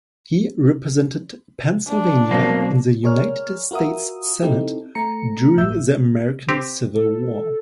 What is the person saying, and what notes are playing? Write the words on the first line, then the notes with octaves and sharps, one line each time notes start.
He represented Pennsylvania in the United States Senate during the American Civil War.
D4
B2 F#3 A#3 C4
G#4 A#4 C#5 D5 F6
F4 F#4 A#4 E5 D#6
C4 D#4 E4 G4 A4
A3 A#5 C#7
G1 A2 E5 E6 G6
C4 G4
A4